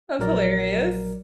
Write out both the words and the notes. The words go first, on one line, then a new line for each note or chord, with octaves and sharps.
That's hilarious.
A#1 F#3 A#4 D5